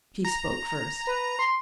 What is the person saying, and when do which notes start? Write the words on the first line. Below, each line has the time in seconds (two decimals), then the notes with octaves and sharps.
She spoke first.
0.25 A#5
1.07 B4
1.39 C6